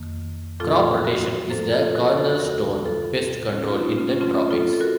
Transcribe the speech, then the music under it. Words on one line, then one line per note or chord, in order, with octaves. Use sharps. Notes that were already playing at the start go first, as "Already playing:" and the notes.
Crop rotation is the cornerstone pest control in the tropics.
Already playing: F2 D#3 A#3
A#2 F3 A3 C4 F4 A4
F#4 A#4
F#2 F3 A3 C4 A4 C5
F4 A4
F#4 A#4
A4 C5
D#2 C#3 A3 F#4 A#4
F4 A4
A2 A3 C4
C#4
F4
D#4
C#4 F4
C3 F#3 A3 C4 C#4 F4
F4 A4
A4
F#4 A#4